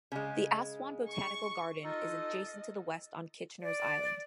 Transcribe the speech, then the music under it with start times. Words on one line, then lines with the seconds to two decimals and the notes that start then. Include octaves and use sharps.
The Aswan Botanical Garden is adjacent to the west on Kitchener's Island.
0.12 C#3 G#3
1.12 C#6
1.85 D#4 F4 A4 D#5
3.61 D5